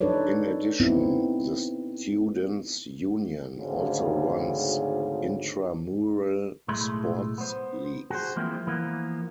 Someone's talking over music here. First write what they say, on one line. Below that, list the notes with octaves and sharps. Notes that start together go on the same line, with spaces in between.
In addition, the Students' Union also runs intramural sports leagues.
D4 D#4 A4 B4 C#5 D5
B3 C4 D#4 E4
G#1 D2 G#2 C#3
B1 A2 G#3 A3 B5 C6
B3 C5
F#4 G#4 C5
E3 F3 G#3 A#3 C4 E4
E3 F3 A#3 B3